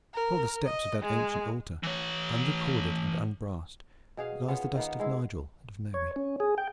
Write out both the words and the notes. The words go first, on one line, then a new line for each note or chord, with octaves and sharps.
Before the steps of that ancient altar, unrecorded and unbrassed, lies the dust of Nigel and of Mary.
A#4
D#5
G#3
E3 C#5
B2 G#4 F5
B3 C#4 F4
D#3 A#3 B3
G#3 E4
C#5
C#4
G#4
G5